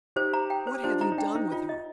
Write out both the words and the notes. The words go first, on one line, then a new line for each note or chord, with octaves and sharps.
What have you done with her?
D#4 G4 C5
A#5
G5
C5
D4 F4 C5
D#4 A#5
D#4
D4 G5
D#4 C5
D#4 F4
D#5